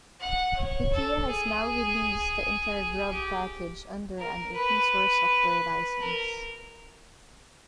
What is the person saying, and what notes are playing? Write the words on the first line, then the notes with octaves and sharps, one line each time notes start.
Wikia has now released the entire Grub package under an open source software license.
F#5
C#5
A4
G#4
G4
A#4
B4
A#4